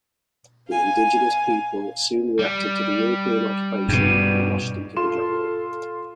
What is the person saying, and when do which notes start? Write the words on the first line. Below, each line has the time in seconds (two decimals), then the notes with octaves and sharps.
The indigenous people soon reacted to the European occupation, and rushed into the jungle.
0.68 F5 G#5
2.39 G3
3.89 G2 B2
4.97 F4 A4 C6 E7